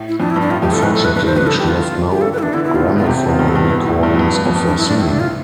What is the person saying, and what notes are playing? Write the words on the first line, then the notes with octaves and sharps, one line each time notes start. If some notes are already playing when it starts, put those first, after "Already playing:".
Unfortunately, she left no gramophone recordings of her singing.
Already playing: A2
E4
F2 D4
E4
G2
D4
A2 F4
F2 G4
G2 A4
A2 B4
A4
F2
B4
G2 B4
G2 C5
F2 B4
G2 A4
G4
D3
F4
G4
A4
B4
E4
E3 D4
D3 E4
B2 E4
A2 F4
G2
B2 F4
C3 G4
C3 G4
B2 F4
G2
A4
G2 G4
F4
B2 E4
A2
G2
F2
G2
G2
F2
G2
D4
E4
D4
A2 E4
D4
F4